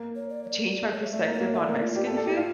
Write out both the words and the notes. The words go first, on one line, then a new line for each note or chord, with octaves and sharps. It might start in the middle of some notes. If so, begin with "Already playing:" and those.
changed my perspective on Mexican food,
Already playing: A#3
C#5
D5
C#5
D5
D5
C#5
E5
A3 D5
A#3
C#5
A#3
A3 D5
A#3
F4
G4
A4
A4
G4
F4